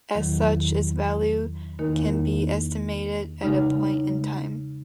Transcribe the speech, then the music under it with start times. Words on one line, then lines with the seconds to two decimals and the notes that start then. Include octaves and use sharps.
As such, its value can be estimated at a point in time.
0.15 E2 D#3 F#3
1.79 E2 D#3 A#3 D#4 A#4
3.43 C#3 G#3 D#4